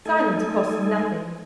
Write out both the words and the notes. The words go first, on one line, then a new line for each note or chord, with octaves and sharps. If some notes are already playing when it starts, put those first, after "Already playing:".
Silence costs nothing.
A3 D#4 A4 G#5